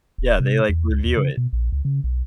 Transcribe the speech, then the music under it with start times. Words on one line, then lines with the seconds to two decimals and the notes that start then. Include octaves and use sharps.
Yeah, they, like, review it.
0.18 D#1
0.40 C3
0.69 E2
0.90 C#2
1.05 D#2
1.17 C#3
1.37 B2
1.53 A#1
1.72 C#2
1.85 C#3
2.04 B1